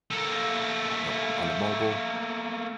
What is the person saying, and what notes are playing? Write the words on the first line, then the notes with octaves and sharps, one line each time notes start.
on the on the mobile.
A3 A#3